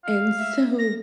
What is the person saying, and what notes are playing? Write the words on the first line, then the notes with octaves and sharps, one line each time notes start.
And so
F5
E5
A#6